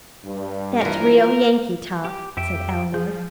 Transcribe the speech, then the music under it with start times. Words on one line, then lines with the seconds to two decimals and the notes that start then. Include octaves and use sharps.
"That's real Yankee talk," said Elinor.
0.24 G2
0.81 E3 F3 A#4
2.05 G4
2.37 F2 G4 E5 G5
2.94 F3 G#4 G6